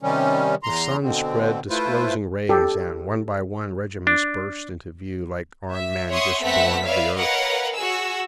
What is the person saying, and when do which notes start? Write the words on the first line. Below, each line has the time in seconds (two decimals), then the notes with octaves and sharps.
The sun spread disclosing rays, and, one by one, regiments burst into view like armed men just born of the earth.
0.02 C3 D#3 G3 C#4
0.63 E2 A#5 C6
1.03 B2 D3 C4
1.70 A3 E4 F4 B4 C5
2.49 G4 A4
4.07 D4
5.71 E5
6.09 C#5 E5 F#5 C6 C#6 D#6
6.42 A3 B3 C4 E5 F#5 B6
6.84 B4 C#5 D5 E5 F5
7.17 A#4 B4 C#5 D#5 F5 F#5
7.74 F#4 G#4 E6